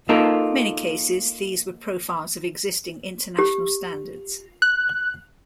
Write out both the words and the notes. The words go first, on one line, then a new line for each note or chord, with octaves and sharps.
In many cases these were profiles of existing international standards.
A#3 D#4 F4 A4 A#4
G4
F#6